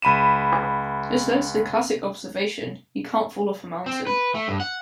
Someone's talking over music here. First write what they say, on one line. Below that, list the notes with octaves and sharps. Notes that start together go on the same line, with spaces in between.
This led to the classic observation, You can't fall off a mountain.
C#2 B5 D#7 E7
C4
B4
A3
G2
F#5